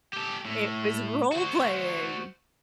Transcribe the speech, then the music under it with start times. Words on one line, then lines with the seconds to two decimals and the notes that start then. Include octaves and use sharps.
It was role playing.
0.13 G4 A4
0.45 A2
1.32 F#4 C5